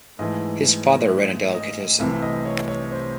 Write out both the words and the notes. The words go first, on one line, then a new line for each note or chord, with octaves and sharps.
His father ran a delicatessen.
G#2 E3 A3 D#5
E5
D#5
C2 C3 E3 A3 E5
D#5
C#5
C#5
C5